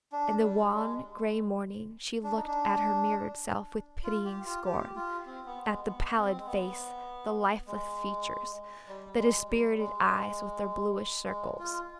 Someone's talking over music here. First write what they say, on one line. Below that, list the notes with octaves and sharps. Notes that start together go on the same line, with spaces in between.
In the wan, grey morning she looked at her mirrored self with pitying scorn--at the pallid face, the lifeless features, the dispirited eyes with their bluish circles.
D4
G3
G#3
D4
D#4
D4
F4
G4
F4
G4
F4
C4
B3
G#3
B3
C4
G#3
B3
G#3
G3
G#3
G3
G#3
G#3
F4